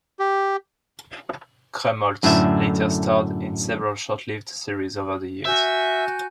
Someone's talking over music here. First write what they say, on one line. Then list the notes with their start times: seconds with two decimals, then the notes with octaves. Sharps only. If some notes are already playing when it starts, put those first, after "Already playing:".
Krumholtz later starred in several short-lived series over the years.
0.19 G4
2.23 F#2 A2 D3 A3 E5
5.45 F#4 E5 G#5 G6